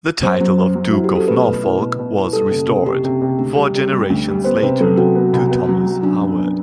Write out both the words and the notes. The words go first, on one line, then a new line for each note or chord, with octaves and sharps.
The title of Duke of Norfolk was restored, four generations later, to Thomas Howard.
F#3 C5
F#3
F#2
F#3
E4 F#4
G4
F#3 A4
A3 B4
B2
E4
B2
B2
E4
G3 A4
F#1
C3
C3 G4
C3
C3
D2 G4
G3
G3
G3
D2
G3
B3 C5
C3 B4
F#3 A4
C3 F#4
B3
C2
B3
F#3
F#3
F#3 D4
G2
B3